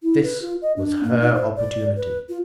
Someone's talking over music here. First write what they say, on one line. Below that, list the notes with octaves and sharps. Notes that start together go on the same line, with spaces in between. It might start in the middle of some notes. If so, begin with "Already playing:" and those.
This was her opportunity.
E4
B4
F4
D#5
D4
A#3
D#4
C5
D5
B4
F4